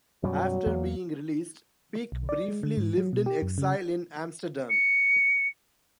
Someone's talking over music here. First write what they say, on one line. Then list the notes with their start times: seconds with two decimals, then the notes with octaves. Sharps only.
After being released, Pieck briefly lived in exile in Amsterdam.
0.23 F#2 B2 F#3 G3
0.66 E2 A#3
2.12 B1
2.29 D5
2.49 G#3
2.63 D3
2.77 G#2
2.98 F#3
3.13 B2
3.26 G4
3.42 F#2
3.58 C#3
4.70 C#7